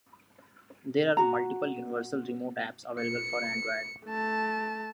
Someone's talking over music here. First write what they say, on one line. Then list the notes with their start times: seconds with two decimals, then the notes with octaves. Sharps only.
There are multiple universal remote apps available for Android.
1.17 F#4 A#5
2.99 C#7
4.06 A3 A5